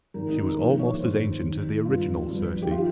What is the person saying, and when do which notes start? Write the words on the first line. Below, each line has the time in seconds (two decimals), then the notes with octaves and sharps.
She was almost as ancient as the original Circe.
0.14 G#1 G#2 D#3 A#4
0.29 D#4
0.43 A#4
0.57 A#1 G#2 F3
0.79 C#5
1.00 G1 G2 D#3 C5
1.42 D#2 D#3
1.85 G#1 G2 F3 F4
2.28 G1 G2 F3
2.62 G4
2.71 F4
2.74 D#3